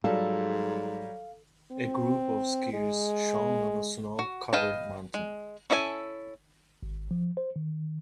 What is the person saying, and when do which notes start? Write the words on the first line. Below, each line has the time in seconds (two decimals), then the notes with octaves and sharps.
A group of skiers shown on a snow covered mountain.
0.04 G#2 F#3 G3 A4 F5
1.71 C4
2.73 G#3
4.19 F#4
4.53 B4 D#5 F5 G5 A5
5.14 G#3
5.70 C#4 E4 A4 D#5 G#5
6.83 G#1
7.11 F3
7.37 C5
7.56 D#3